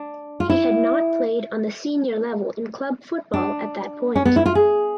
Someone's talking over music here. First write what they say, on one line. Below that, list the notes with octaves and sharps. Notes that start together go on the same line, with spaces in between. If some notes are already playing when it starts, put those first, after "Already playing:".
He had not played on the senior level in club football at that point.
Already playing: D4
F4
E4
D4
C#4
B3
E4
F4
G#4